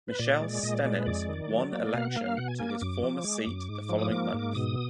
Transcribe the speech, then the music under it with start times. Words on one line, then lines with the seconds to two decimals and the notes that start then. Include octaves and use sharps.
Michelle Stennett won election to his former seat the following month.
0.08 B4
0.19 A#2 D5
0.41 G#3
0.63 A#2 D#5
0.74 D5
0.85 G#3 D5
0.95 B4
1.06 F2 D5
1.29 D#3
1.50 F#3
1.73 A#3
1.93 B2 F5
2.05 F#5
2.16 A#3 F5
2.37 B2 F#5
2.48 G#5
2.59 A#3 G#5
2.70 D6
2.81 F#2 D6
3.03 F3
3.24 G#3
3.47 F#2
3.69 G#2
3.89 F3
3.99 D#6
4.11 A#3 D6
4.34 G#2
4.55 B2 D#6